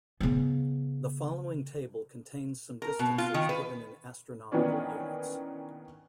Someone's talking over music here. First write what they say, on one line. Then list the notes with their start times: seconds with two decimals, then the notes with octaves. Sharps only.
The following table contains some distances given in astronomical units.
0.20 C#3 B3
2.82 A#4
2.99 B2
3.18 F4
3.34 D#3
3.49 B4
4.52 D#3 E3 A#3 B3 C#4 D4